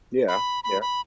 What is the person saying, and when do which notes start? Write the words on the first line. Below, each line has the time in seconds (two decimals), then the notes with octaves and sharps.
Yeah. Yeah.
0.28 B5
0.64 B5
0.82 B5